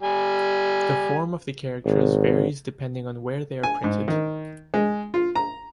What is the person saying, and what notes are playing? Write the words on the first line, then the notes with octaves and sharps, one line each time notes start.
The form of the characters varies depending on where they are printed.
G3 G#5
G#1
G#5
G#2
D#3
G#3
F4
A#5